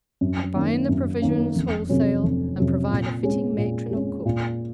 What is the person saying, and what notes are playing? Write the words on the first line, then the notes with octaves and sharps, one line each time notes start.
I buy in the provisions wholesale, and provide a fitting matron or cook.'
F#2
D#3 A#3 C#4
F#2
D#3 A#3 C#4
F1
F2 C3 F#3 C#4
F1
F2 C3 F#3 C#4
A#2
G#3 C#4
A#2
G#3 C#4
A#2